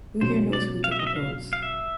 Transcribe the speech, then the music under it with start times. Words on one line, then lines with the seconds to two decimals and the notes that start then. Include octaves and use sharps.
Who Here Knows Who Took My Clothes?
0.21 B2 F#3 A#3 C#4 C5
0.53 D5
0.84 F5
0.91 E5
0.99 D#5
1.07 E5
1.16 F5
1.53 F5
1.63 E5